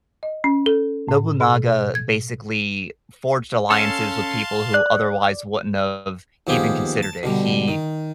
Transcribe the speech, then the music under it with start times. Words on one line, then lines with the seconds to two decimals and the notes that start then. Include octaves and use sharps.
Nobunaga basically forged alliances with people who otherwise wouldn't of even considered it. He,
0.23 D#5
0.44 C#4
0.66 A4
1.08 A2
1.41 B2
1.95 G#6
3.70 C#4 A4 F5 A5 C6
4.74 D5 F#6
6.47 D#2 F3 B3 G4 G#4
7.03 A5
7.23 B2 D3 G3
7.68 D#3